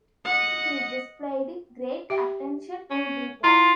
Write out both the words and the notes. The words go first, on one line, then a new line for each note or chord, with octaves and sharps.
He displayed great attention to detail.
D#5 F#5
G4 E5 G5
C#4
E4 F4 A#5